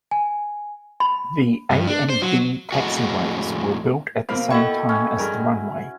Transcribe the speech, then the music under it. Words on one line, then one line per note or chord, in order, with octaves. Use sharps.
The A and D taxiways were built at the same time as the runway.
G#5
B5
G2
D4
C5
F#3
F2 A2 C#3 G#3 F#4
B2 A#3 C4 F5 B5
E4 F#4 A4 D#5 G5
C#4
G2 G#3 A#4